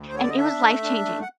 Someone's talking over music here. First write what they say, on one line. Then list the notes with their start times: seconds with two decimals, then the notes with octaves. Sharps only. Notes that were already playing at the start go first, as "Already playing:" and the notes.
and it was life-changing.
Already playing: D2
0.08 C5
0.14 D3 C#5
0.23 D5
0.29 D#5
0.37 D4 E5
0.59 A3
0.83 D4
1.05 A3
1.22 F#5